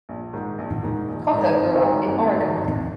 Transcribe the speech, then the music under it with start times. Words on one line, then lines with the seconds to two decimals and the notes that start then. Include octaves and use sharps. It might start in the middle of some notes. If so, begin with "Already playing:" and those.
Kocher grew up in Oregon.
0.09 A#1
0.33 G#2 D#3
0.58 A#1
0.83 G#2 D#3
1.08 A#1
1.33 G#2 D#3
1.57 G#1
1.82 G#2 D#3 F#3
2.07 G#1
2.31 G#2 D#3 F#3
2.56 G#1